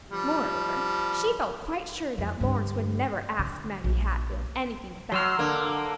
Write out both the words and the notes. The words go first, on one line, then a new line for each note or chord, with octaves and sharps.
Moreover, she felt quite sure that Lawrence would never ask Maggie Hatfield anything about it.
F3 G3
F2
G2 D3
D3
A#1
F#3 C6 E6 F6
D3 A#3